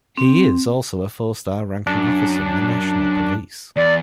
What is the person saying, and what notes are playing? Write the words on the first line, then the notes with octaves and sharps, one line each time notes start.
He is also a four-star ranking officer in the National Police.
C4
F#2 D4
E2 D5